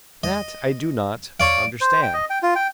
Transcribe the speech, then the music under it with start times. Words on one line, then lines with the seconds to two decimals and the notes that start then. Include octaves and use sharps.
That I do not... understand.
0.24 D#5
1.40 C#5 D5 F5 D7
1.81 C5
2.02 G5
2.14 D#5
2.30 G5
2.43 F4
2.55 G5